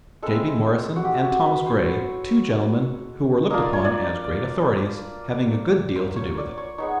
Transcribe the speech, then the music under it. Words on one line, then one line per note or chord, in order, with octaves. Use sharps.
J. B. Morison and Thomson Gray, two gentlemen who were looked upon as great authorities, having a good deal to do with it.
G#3 C4 E4 A4
F#4
G4
F#4
B4
C5
C#5
A#3 D4 F4 D#5
D5
C#5
D5
C5
C#5
D5
C#5
G#3 B3 D#4 C#5